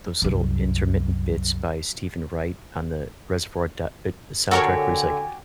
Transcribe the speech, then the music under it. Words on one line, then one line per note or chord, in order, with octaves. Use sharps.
those little intermittent bits by Stephen Wright on the Reservoir Do e soundtrack where he's like,
C2 F#2
D3 F#4 G4 A4 A#4 C#5 G#5